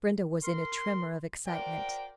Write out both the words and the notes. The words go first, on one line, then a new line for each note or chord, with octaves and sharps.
Brenda was in a tremor of excitement.
A#4 C6
F#4 A#4 C5 D5 G5